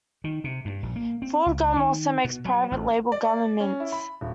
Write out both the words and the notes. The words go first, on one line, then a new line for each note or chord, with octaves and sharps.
Ford Gum also makes private label gum and mints.
D#3
C3
G2
A#1
A#3
C4
C#2
D#3
B2
F#3
A1
D5
C#4
E4
B5
D#1